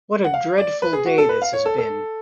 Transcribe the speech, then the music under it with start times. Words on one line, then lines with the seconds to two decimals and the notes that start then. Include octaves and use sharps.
What a dreadful day this has been!
0.25 F#5
0.34 F5
0.58 D5
0.82 B4
0.93 G#4
1.06 F#4
1.18 A4
1.29 B4
1.42 F5
1.53 C#5
1.66 A4
1.78 A4